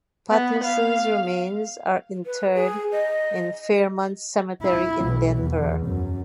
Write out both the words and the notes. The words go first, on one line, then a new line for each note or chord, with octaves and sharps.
Patterson's remains are interred in Fairmount Cemetery in Denver.
B3
F5
B4
G#4
D#5
E4
B1
E2
F#2